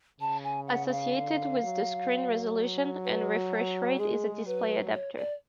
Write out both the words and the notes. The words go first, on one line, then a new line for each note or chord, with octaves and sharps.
Associated with the screen resolution and refresh rate is a display adapter.
C#3 A5
G#5
F#5
F#5
F5
D3
F#3
B4
F#4
G#3 G#4
F#3 B4
C#5
D5